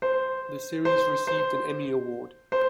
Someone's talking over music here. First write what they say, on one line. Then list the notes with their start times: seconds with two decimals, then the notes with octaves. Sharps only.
The series received an Emmy Award.
0.02 C5
0.85 C5
1.27 C5
2.52 C5